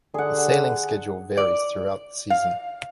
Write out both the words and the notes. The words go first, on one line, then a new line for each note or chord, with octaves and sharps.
The sailing schedule varies throughout the season.
D3 G#4 F#5
D5
F5